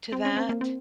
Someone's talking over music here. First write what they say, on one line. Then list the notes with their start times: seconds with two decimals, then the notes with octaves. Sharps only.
to that.
0.12 C4
0.25 C#4
0.37 C4
0.49 A#3
0.61 C4